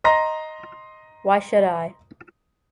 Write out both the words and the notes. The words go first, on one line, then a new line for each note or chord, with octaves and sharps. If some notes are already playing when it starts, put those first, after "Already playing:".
Why should I?
D#5 A#5 C6 A#6